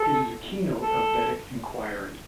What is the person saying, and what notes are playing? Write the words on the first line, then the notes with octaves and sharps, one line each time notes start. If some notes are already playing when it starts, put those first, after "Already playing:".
It is a keynote of Vedic inquiry.
Already playing: A4
A4